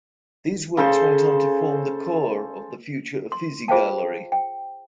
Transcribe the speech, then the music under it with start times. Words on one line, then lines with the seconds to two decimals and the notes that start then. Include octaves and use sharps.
These works went on to form the core of the future Uffizi Gallery.
0.77 C#3 A4 C5 C6
3.32 C6
3.68 F4 G#4 C5 F5 G5 A5
4.32 G5